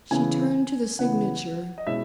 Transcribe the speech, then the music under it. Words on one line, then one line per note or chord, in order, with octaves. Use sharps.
She turned to the signature.
C#3 E3 B3 G#5
C#3 E3 B3 F#5
D#5
B2 G#3 C#4 E4 E5